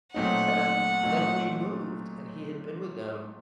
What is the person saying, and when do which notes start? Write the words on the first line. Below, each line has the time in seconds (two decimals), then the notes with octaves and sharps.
And then we moved, and he had been with them
0.14 A#2 F#3 A3 C4 D#4 F#5
1.03 A#2 F#3 A3 C4 D#4